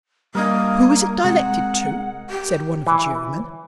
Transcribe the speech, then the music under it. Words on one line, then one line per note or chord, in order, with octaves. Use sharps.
'Who is it directed to?' said one of the jurymen.
G3 A#3 D4 A#4 D#5 G#5
C3 G#3 F#5
G4
E3